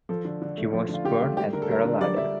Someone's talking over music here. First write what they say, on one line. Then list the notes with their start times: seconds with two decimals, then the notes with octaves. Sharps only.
He was born at Perelada.
0.09 F3 A4
0.25 D3
0.42 D3
0.57 A3
0.73 F3
0.89 D3 F4
1.05 D3 G4
1.21 A3
1.37 G3 G4
1.53 D3 A#4
1.62 A4
1.69 G3 A#4
1.85 D3
2.00 G3 D5
2.16 D3 E5